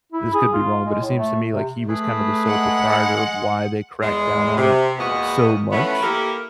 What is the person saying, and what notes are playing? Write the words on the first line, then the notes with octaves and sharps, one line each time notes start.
this could be wrong, but it seems to me like he was kinda the sole proprietor of why they cracked down on it so much
E4
G#4
F4
G#3
A2
A3
C3
A3 G#4 B4 B5
G#3 F#5
E2 G#3
C3
E2 A#2 G#3 B3 F#4 D#5
E3 F3 A3 B3 C#4 B4
A#3 E4 G4 A4 A#4